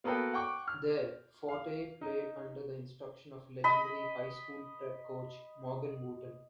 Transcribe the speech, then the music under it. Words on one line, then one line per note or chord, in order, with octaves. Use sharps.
There, Forte played under the instruction of legendary high school prep coach Morgan Wootten.
A#3 B3 F#4 A4 B4 G5
F#5 G5 C#6 D6
F6
F5
D#4
D#5 B5